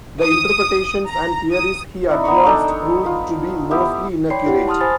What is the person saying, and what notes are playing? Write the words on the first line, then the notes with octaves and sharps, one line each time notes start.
The interpretations and theories he advanced proved to be mostly inaccurate.
D#6
A#5
D#6
D#4 E4 D5
B3 A#5 B5 C#6
D4 D#4 A4 G5
C#5
F4 B4
B3 E4 G4
C#5 D5 G5 B5 C6 C7
E4 G4 F#5
A5 C6 D#6 F6
C5 G#5 B5 C6 A6